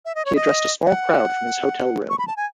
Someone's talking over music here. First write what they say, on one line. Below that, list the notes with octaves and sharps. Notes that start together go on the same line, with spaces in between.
He addressed a small crowd from his hotel room.
E5
D#5
C#5
D#5
F#5
C#6
B5
A5
G#5